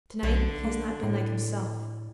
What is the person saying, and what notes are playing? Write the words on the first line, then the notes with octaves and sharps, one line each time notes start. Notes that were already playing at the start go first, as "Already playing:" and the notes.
'To-night he has not been like himself.
B1 D3
A#3
A2